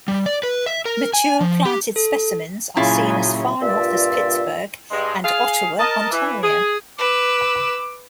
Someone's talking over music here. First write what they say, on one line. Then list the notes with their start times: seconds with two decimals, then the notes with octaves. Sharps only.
Mature planted specimens are seen as far north as Pittsburgh, and Ottawa, Ontario.
0.08 G3
0.26 D5
0.43 B4
0.66 E5
0.85 A#4
1.13 G#5
1.40 F3
1.65 G4
1.96 A4
2.77 A#2 C#3 F#3 E4 F4 G#5
3.62 G2 A#2 F4 D5 E5
4.91 G2 G#3
5.23 G#4 F5
5.79 A#4 D#5 A5
6.11 E3
6.43 G#4
6.99 B4 D6 E6